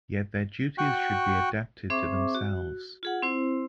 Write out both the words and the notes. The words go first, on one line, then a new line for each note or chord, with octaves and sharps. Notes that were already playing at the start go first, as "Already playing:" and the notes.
Yet their duties should be adapted to themselves.
F#4 G5 C#6 F#6
C4 G#4 C5 E5 C#6 D6
F#4
F4 G#4 F#5
C4 E4 C5